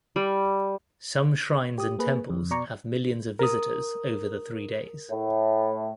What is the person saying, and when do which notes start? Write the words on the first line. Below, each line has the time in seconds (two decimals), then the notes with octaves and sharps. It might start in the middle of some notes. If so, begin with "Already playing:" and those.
Some shrines and temples have millions of visitors over the three days.
0.16 G3
1.78 G4 D#6
1.99 A#3 G#4 B4
2.30 F2
2.51 B2 D5 A#5 C#6 C#7
3.39 A#4 D#6
5.09 A2